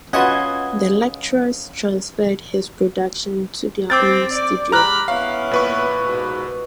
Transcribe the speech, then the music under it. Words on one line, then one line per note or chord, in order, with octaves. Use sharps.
The lecturers transferred his production to their own studio.
C#4 F4 F#4 B4 D#5 F#5 G#6
C4 D6 G6 A6
D5
G#3 G4 A#5 B5 F6 F#6
B3 C#4 E4 F5
A#2 B4 C#6
G#2 B2